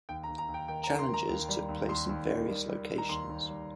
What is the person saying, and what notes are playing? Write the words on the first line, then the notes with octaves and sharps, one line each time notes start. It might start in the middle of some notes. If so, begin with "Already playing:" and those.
Challenges took place in various locations.
D#2 G5
A#5
D#2
A#5
D#2
G5
D#3 G5
A#5
D#3
C6
D#3
A#5
D#2
G3
D#2
D#2 C6
D#2
D#3
G3
G3
D#3
A#5
D#2 C6
D#2
G3